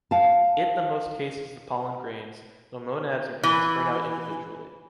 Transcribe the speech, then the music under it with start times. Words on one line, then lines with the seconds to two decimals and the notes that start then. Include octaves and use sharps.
It the most cases the pollen grains, the "Monads" are being spread out individually.
0.11 F5 A5
3.43 E3